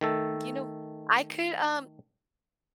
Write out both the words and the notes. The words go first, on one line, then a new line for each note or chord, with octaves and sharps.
You know, I could, um
D#3 A3 A4